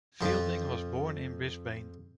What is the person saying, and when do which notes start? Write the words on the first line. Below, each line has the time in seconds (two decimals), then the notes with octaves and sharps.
Fielding was born in Brisbane.
0.21 F2 F3